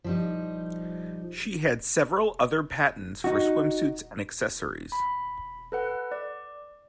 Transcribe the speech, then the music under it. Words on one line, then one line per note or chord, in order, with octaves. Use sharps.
She had several other patents for swimsuits and accessories.
F3 G3 D#4
D#4 F#4
B5
A4 B4 F#5
D5